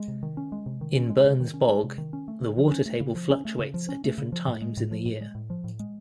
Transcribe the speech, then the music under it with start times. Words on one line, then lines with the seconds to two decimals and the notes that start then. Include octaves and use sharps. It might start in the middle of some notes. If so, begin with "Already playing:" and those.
In Burns Bog, the water table fluctuates at different times in the year.
Already playing: G#3
0.08 C3
0.23 D#3
0.37 C#4
0.52 G#3
0.66 C3
0.81 D#3
0.96 C#4
1.10 G#3
1.24 C3
1.40 D#3
1.54 C#4
1.69 G#3
1.83 C3
1.98 D#3
2.13 C#4
2.28 A3
2.42 C#3
2.57 F3
2.71 C#4
2.86 A3
3.00 C#3
3.15 F3
3.30 C#4
3.45 A3
3.59 C#3
3.74 F3
3.89 C#4
4.04 A3
4.18 C#3
4.32 F3
4.48 A2
4.62 G#3
4.77 A2
4.91 F3
5.05 A2
5.21 G#3
5.35 A2
5.50 F3
5.64 A2
5.80 G#3